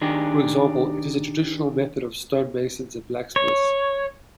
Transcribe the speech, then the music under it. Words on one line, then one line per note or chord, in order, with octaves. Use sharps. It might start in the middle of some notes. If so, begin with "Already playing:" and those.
For example, it is a traditional method for stonemasons and blacksmiths.
D#3 D4 G4 G#4
C#5